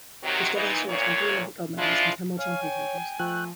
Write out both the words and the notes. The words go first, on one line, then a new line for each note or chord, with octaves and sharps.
Altogether, her students won three Olympic gold medals and ten world champion titles.
C3 D#3 F#3
A#2 E3 D#4
D2 A#2 C#5
F3 G#3 D4 E4 F4
C#5 F5 G#5
G5
F3 A3 G5 F#6